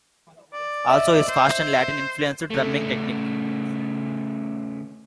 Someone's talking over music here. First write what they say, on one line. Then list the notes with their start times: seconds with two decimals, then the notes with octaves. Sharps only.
Also his fast and Latin influenced drumming technique.
0.53 D5
0.88 D#5 E5 E6
1.28 C5
2.50 C#3 A3